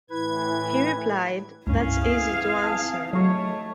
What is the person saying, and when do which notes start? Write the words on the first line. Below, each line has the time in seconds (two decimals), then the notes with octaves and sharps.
He replied, That's easy to answer.
0.10 A2 E3 E4 B4 G#6
1.67 C#2 G2 C#4 E4 F5
2.02 B3 C4 G#4 G#6
2.64 A5
3.13 F#3 A3 D#4 F#4 G#4 C#5